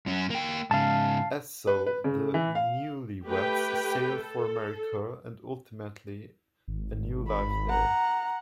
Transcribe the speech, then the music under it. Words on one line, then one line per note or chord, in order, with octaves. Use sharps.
And so the newlyweds sailed for America and ultimately a new life there.
F#2 C#4
A#3 G5
G#2 C#3 F5 A5
B4
B4
C#3
E3
F5
A3 G4 B4 G5
A4
G#1
B5
F#5 A#5